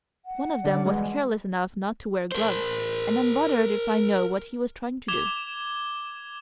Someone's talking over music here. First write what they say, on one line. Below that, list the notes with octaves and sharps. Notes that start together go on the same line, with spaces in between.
One of them was careless enough not to wear gloves, and I'm bothered if I know what he was trying to do.
F#5
D3 C#4 D5
B2 E3 G3 G#3
A#4 C5
D6 G#6 E7 F7 G7